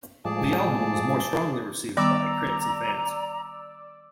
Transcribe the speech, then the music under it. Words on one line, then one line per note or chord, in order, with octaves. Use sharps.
The album was more strongly received by critics and fans.
A2 F3 G#3 G#4 D5 A5
D#3 G3 B3 D5 A#5 D6 E6